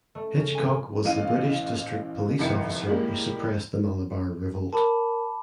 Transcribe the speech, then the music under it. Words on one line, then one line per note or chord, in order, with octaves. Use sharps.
Hitchcock was the British District Police Officer who suppressed the Malabar Revolt.
A3
C#3
G#5
A#2
A1 E3 F5 D#7
F1 C2 F2 D#3 E4 C#7
A2 G3 G#3 A#3
A#4 A5 B5 D6